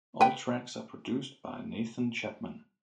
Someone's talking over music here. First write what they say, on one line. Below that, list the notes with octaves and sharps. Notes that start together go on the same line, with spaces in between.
All tracks are produced by Nathan Chapman.
B4 G5